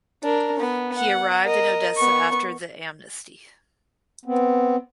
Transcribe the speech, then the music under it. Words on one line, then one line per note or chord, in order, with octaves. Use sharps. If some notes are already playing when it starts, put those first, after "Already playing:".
He arrived in Odessa after the amnesty.
D4 A#4
B3
F#5
A#4 D#5
B3 C#6
B3 C4